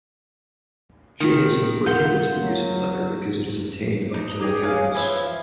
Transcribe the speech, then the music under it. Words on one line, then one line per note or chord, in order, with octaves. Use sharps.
Jainism prohibits the use of leather because it is obtained by killing animals.
D#3
F4 A#4 F#5 C6 G6
F#3
D#4
G4 G#4 D#5 G5
C#4 G#4 F5 G#5
E3 F3 C#4 E5